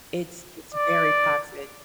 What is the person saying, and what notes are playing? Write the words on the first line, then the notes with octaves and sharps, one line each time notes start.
it's it's very toxic.
D5